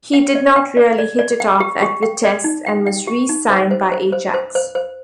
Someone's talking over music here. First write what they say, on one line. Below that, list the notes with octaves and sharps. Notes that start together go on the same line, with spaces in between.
He did not really hit it off at Vitesse and was re-signed by Ajax.
G5
D5
G5
D5
D5
D5
G5
G4
G4
G5
D5
D#4
G5
G5
G4
D#4
C5
C5
C5
C5
C5
C5
C5